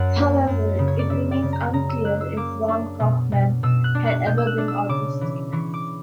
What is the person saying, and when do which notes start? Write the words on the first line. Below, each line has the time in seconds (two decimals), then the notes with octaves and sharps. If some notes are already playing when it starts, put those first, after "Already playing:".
However, it remains unclear if Raun Kaufman had ever been autistic.
Already playing: F#2 F#5
0.16 A#3
0.47 F#2
0.79 C#3
0.88 C#5
0.99 D5
1.10 C#3 E5
1.31 D5
1.42 C#3
1.53 A#5
1.73 C#3 A#5
1.89 E6
2.05 A#3 F#6
2.21 E6
2.37 A#3 D6
2.68 D4
3.00 B2
3.32 B2
3.63 B2 E6
3.84 F#6
3.95 D4
4.05 F#6
4.26 B2 G6
4.38 E6
4.47 F#6
4.58 D4
4.68 E6
4.89 C#3 D6
5.21 E3
5.53 E3 C#6
5.74 D6